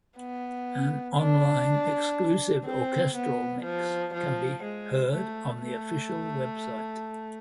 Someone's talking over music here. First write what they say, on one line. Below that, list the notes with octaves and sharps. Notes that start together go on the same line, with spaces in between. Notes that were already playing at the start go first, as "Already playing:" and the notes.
An online exclusive "orchestral" mix can be heard on the Official website.
B3
D4
C4
B3
F3
F3
G#3
A3
A3